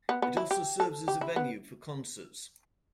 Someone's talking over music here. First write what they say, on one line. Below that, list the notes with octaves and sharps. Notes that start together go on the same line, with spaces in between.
It also serves as a venue for concerts.
B3
B3
E4
G4
A4
G4
E4
B3